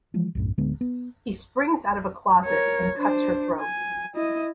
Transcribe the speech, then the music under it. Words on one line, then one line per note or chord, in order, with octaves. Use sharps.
He springs out of a closet and cuts her throat.
E3 F3 G#3
B1 F#2 A2
D1 D3 G#3 B3
B3
A#4 C#5
D4 C5
G#5
E4 D#5